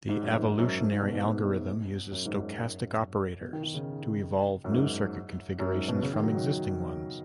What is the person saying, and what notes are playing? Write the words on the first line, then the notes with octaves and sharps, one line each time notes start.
The evolutionary algorithm uses stochastic operators to evolve new circuit configurations from existing ones.
G#2
F#2
G#2
G#2
F#2
G#2
G#2
B2
G#2
G#2
F#2
G#2
F#2
F#2
B2
D#3
D#3
C#3
F#2
G#2
F#2
G#2
B2
C#3
D#3
F#3
F#3